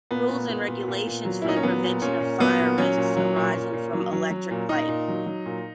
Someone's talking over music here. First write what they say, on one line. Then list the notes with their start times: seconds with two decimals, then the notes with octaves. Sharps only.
Rules and Regulations for the Prevention of Fire Risks arising from Electric Lighting.
0.11 A#2 B3
0.29 A#2
0.49 A#2
0.68 A#2
0.88 A#2
1.07 A#2
1.25 F#3
1.42 E4
1.44 A#2 D#4
1.56 C#4
1.63 F#3 B3
1.83 A#2
2.02 A#2 C#4
2.20 A#2
2.40 F#3 B3
2.60 A#2
2.78 F#3 C#4
2.97 A#2
3.17 F#3
3.36 A#2
3.55 A#2
3.73 A#2
3.93 F#3
4.13 F#3
4.31 F#3
4.51 A#2
4.69 A#2 D#4
4.88 A#2
5.08 F#3
5.26 F#3
5.46 A#2